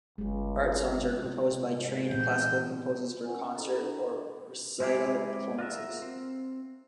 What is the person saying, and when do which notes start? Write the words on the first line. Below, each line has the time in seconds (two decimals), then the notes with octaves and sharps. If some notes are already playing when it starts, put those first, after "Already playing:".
Art songs are composed by trained classical composers for concert or recital performances.
0.18 G1 C#2 G#3 G#4
1.24 C3 F4
1.70 G#2
2.10 A#2 E3 C4 G6
3.25 C#4 F#5 G#5
3.55 E4 G#4 A4 C5 A#5 B5
3.77 D4
4.80 G#3 C4 E4 G#4 D5
5.59 F4 F#4 A#4 E5
6.02 C4